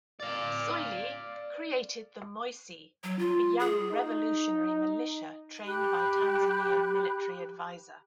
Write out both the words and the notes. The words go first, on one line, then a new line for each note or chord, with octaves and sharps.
Soilih created the 'Moissy', a young revolutionary militia trained by Tanzanian military adviser.
D5 F5
F#3
F4
G#4
D#4
G4 B5 F#6